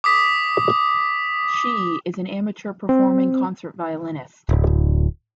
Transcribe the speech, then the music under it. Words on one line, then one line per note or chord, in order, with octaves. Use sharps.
Shi is an amateur performing concert violinist.
D6 D#6 B6
C4
D1